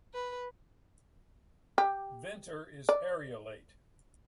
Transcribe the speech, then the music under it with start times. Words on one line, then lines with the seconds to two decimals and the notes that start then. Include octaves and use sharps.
Venter is areolate.
0.13 B4
1.78 G4
2.89 D5